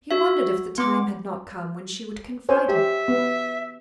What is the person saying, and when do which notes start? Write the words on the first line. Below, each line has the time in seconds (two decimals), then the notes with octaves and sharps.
He wondered if the time had not come when she would confide in him.
0.11 F#4 E5
0.78 B3 D6
2.49 C5 C#5 G#5
2.69 G4 E5
3.08 B3